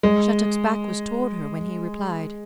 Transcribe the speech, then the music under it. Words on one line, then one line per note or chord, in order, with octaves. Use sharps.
Shattuck's back was toward her when he replied.
G#3